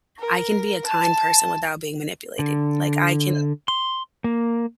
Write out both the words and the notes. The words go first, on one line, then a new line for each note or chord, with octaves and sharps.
I can be a kind person without being manipulated." Like, I can,
A#4
A5
D3
C6
A#3